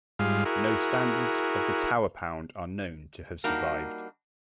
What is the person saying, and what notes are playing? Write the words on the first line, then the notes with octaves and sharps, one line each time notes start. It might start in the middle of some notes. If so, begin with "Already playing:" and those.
No standards of the Tower pound are known to have survived.
G#2 G3 F4 G#4 F5
E4 F#4 G#4 A#4
G3 A#3 D4 D#4 F#4